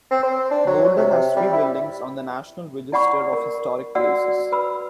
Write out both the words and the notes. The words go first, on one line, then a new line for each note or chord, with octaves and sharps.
Boulder has three buildings on the National Register of Historic Places.
C4
C5
D4
F#3
F#3
C3
C3
G3
E4
E4 D5 F#5 B5 C#6
A#4
F#4 D5 F#5 E6
B4 B5 E6